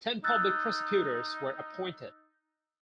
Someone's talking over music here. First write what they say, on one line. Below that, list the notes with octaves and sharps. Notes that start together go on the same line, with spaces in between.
Ten public prosecutors were appointed.
D#4 E6 F#6 A6